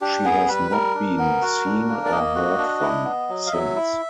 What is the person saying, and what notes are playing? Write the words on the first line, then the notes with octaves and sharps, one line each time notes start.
She has not been seen or heard from since.
D4 G4
B3 G#4
G3 B4
G3 A#4
D4
B3
F#4
D4
A#3
D5
A#3 D#5
F#4
D4
E4
B3
F#3
F5
F#3 E5
E4